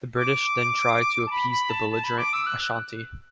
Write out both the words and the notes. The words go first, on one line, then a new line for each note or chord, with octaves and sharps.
The British then tried to appease the belligerent Ashanti.
D6
A5
B5
B5
A5
A5
B5
D6
E6
F#6